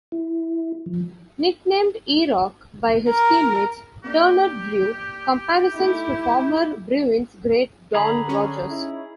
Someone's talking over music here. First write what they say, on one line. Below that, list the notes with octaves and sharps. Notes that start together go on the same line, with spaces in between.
Nicknamed "E-Rock" by his teammates, Turner drew comparisons to former Bruins great Don Rogers.
E4
F3
A#4
A#3 D4 G4
A3 D#4 E4
D3 G#4 A#5 B5
C#4
D#4 E4